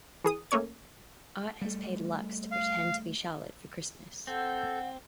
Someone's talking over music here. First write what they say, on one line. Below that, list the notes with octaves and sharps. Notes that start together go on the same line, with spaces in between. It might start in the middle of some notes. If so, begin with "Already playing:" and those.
Art has paid Lux to pretend to be Charlotte for Christmas.
E3 G#4 D#6
A3 A#3 C#4 C#5 G#6
G3 A3
F5
C4 A4 F#5 G6